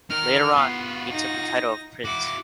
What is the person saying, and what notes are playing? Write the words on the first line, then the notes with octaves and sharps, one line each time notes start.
Later on, he took the title of Prinz.
D#4 A#4 F6
B3 F4 F#4
D#4 A#6
E4 F#4 D6